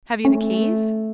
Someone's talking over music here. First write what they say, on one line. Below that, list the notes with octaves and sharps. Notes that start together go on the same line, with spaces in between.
"Have you the keys?"
A3 C#4